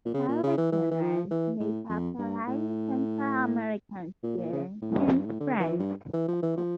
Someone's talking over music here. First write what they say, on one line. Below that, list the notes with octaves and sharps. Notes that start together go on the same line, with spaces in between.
Salvadorans make up the largest Central American students in France.
A#2
C#3
A#2
C#3
E3
E3
E3
F3
E3
A2
F2
G2
A2
A#2
A#2
C#3
A2
G2
F2
G2
A2
D3
E3
G2
E3
F3
E3
F3